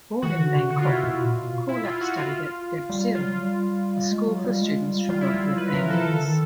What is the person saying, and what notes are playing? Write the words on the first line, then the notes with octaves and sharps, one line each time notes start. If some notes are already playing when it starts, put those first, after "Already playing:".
Born in Bangkok, Kulap studied at Debsirin, a school for students from wealthier families.
E3 F#4
D3
C3
D3 F#4
F4
C3 E4
F4
B2
A#2
B2
E4
F4
F#4
F4
G3
F#3 F4
G3
F#3
G3
G#3
F#3
G3
G#3
G3
G3 F4
E4
G3 F4
F#3
G3 B4
F#3 A#4
E3
F3 A4
D#3 A4
D3
D#3